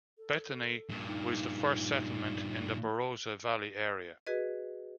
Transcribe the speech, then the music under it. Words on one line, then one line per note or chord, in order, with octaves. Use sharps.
Bethany was the first settlement in the Barossa Valley area.
A4
G2 A#2
D#4
F#4 G#4 B4 D#5